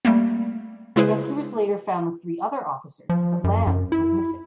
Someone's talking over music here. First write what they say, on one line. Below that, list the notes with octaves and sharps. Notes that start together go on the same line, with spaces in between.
Rescuers later found the three other officers but Lam was missing.
G3 A3 A#3
C#3 G#3 E4 G#4 B4 C5
F3
F#2
F#2
E4